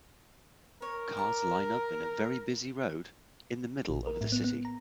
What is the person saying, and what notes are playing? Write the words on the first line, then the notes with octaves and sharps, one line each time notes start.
Cars line up in a very busy road in the middle of the city.
A#4 C#5
D5 A#5
A#1
A#4
A2
B3
B3
A#5